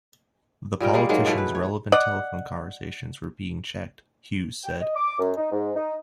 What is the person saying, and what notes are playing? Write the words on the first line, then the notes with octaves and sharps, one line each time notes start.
The politician's relevant telephone conversations were being checked, Hughes said.
A#2 G3 A#4 G5
G3 G#3 A#3
D#3 F#3 G#3 A#3
B2 E3 A3
B4
C#5
D5 D#5 F#5
G5
D#5
D6
F#2
D#4
G#2
D#4